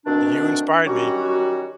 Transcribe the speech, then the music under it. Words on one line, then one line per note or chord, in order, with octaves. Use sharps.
You inspired me.
D2 B2 D#3 C4 D4
D#3 F#3 G3 C#4 F#4